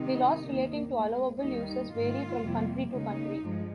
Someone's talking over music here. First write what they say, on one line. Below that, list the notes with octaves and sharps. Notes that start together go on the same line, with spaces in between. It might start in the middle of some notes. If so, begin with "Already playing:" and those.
The laws relating to allowable uses vary from country to country.
Already playing: C3 D#3 G#3 D#4
D#2 D#3 A#3
A#2 G#3
D#2 D#3 G3 D#4
G#2 D#3 A#3 F4
F2 C3 G3 A#3
D#2 C#3 G#3 D#4
G2 F3 G#3